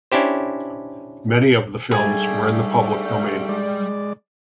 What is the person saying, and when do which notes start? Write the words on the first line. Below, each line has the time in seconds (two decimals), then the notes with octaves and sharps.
Many of the films were in the public domain.
0.12 C#4 D4 E4 G4 C5
1.91 G#2 G3 A3 D4 G#4
3.49 G#3 D5